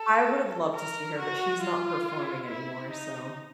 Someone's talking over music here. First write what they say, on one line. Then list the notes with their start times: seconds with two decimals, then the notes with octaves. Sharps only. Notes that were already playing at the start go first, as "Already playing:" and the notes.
I would have loved to see her, but she's not performing anymore, so
Already playing: A4
0.75 A#4
1.18 F#4
1.61 F4
2.48 E4
2.91 D#4